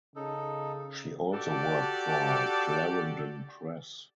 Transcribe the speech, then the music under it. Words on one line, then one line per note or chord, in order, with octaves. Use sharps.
She also worked for Clarendon Press.
C#3 D#4 A4
D4 F#4 G4 A4 D5